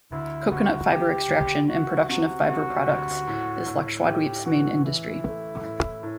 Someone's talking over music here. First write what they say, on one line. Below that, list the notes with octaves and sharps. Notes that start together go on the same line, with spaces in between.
Coconut fibre extraction and production of fibre products is Lakshadweep's main industry.
D2 E4
D2 F#4
D2 G4
D2
D2 F#4
C3 F#4
C3 F#4
D2
A2
A2
A2 G4
E3 F#4
E3 E4
A3
A2
A2